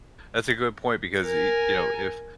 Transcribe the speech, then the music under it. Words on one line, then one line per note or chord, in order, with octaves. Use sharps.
that's a good point because, e you know, if
A#4 G#5